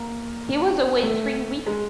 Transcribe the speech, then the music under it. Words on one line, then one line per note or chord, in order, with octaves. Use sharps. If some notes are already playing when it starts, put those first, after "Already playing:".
He was away three weeks.
Already playing: A#3
A3
G#3